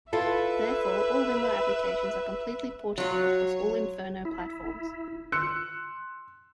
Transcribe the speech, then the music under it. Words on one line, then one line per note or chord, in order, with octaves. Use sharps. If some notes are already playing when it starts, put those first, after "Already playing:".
Therefore all Limbo applications are completely portable across all Inferno platforms.
E4 F4 A4 B4 E5
F#3 F4 F#4 C#5
E4
C6 E6 F#6 C#7